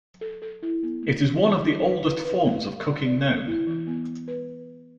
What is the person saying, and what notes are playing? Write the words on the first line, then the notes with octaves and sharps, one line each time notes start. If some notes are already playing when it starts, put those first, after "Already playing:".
It is one of the oldest forms of cooking known.
A4
A4
E4
B3
A3
E3
E3
D4
B4
B4
B4
A3
G4
D5
D5
C4
E4
E3
B3
E3
B4